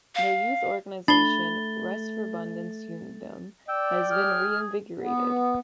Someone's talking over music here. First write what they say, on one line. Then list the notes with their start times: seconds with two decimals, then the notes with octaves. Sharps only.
Their youth organization Retsforbundets Ungdom has been reinvigorated.
0.15 F5
1.08 A3 D4 B5 A6 C7 G7
3.68 D5 G5 E6
4.11 G#4 F6
4.99 B3